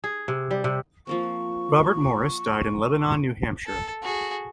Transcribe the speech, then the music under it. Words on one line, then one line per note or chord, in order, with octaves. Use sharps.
Robert Morris died in Lebanon, New Hampshire.
G#4
C3
G3
C3
F3 A#3 C4 C#6
A4
F#4 G#4